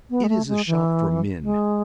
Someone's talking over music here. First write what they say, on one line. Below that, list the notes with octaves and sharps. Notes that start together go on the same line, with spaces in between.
It is a shop for men.
B3
G#3
A3
G#3
E3
G#3